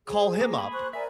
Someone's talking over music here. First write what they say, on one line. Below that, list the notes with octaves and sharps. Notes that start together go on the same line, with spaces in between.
Call him up
G#4 C5
A#3
G#4 B5
C5 C#6 F#6
A#4 D5 E5 G#5